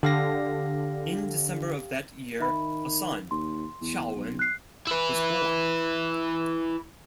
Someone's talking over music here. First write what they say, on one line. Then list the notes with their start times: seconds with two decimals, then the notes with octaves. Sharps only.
In December of that year, a son, Hsiao-wen was born.
0.03 D3 G4 F5 A#6
2.40 D#3 E5 B5
3.31 D#2 C6
3.81 E2
4.15 B1
4.39 F#6 C7
4.87 E4 B4